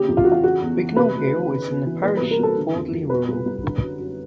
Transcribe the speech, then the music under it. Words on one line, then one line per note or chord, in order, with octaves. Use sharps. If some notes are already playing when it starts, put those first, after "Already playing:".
Bignall Hill is in the parish of Audley Rural.
Already playing: D#2 C#3 G4
F2
F4
E3 F#4
F4
C#3 F#4
E2
E3
C3 B4
D2
D#3
C#3
E2
E3
A#2 B4
C2 B4
A#4
C2 A4
D3
F2
F2
B2 B4
C2
C2
D3
F#2
F#2